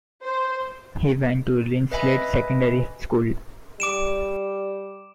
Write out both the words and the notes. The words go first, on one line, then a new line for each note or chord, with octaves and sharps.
He went to Linslade Secondary School.
C5
B4 D#5 E5 G#5 B5
G3 D6 D7 E7